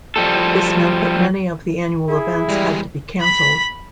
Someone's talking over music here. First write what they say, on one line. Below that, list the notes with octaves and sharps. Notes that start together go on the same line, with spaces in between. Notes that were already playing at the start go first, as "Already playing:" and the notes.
This meant that many of the annual events had to be cancelled.
F3 G3 A4
E4 G#4
E3 G3 G#3
B5 B6